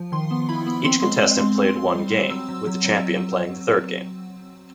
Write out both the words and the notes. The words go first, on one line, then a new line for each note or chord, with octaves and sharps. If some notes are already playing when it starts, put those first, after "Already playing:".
Each contestant played one game, with the champion playing the third game.
Already playing: F3
D#3 C6
B3
E4 B5
B3
C4 C6
G#3
C4
G#3
C4
C4
G3
C4
F#3 E6
F#3
F#3
F#3